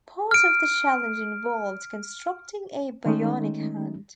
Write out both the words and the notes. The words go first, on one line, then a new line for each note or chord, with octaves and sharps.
Part of the challenge involved constructing a bionic hand.
F6 D7
D#3 G#3 A3 C#4 D#4